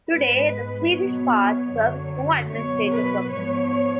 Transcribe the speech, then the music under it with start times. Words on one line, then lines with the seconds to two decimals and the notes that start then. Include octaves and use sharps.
Today, the Swedish part serves no administrative purpose.
0.10 G#2 G#3 B3 B4
0.90 B2 F#3 B3 C#5
1.71 F#2 D3 F#3
2.49 B2 F#3 B3 C#5
2.90 B4
3.29 G#2 F3 B3 C#5